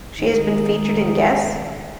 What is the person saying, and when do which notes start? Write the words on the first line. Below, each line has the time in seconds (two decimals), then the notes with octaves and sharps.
She has been featured in Guess?
0.18 D#3 G#3 D#4